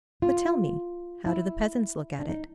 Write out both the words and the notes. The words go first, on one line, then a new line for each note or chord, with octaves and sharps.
But tell me, how do the peasants look at it?
F4
E4
D4
D#4